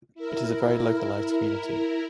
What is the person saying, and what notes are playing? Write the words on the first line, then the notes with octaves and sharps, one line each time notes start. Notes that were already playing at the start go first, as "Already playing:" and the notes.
It is a very localised community.
E4 A#4